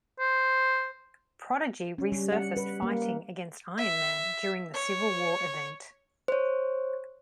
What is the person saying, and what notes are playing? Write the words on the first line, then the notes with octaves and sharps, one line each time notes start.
Prodigy resurfaced fighting against Iron Man during the Civil War event.
C5
C#4
G3
F#5
B4
A#3
E5
C#5
C5 C#5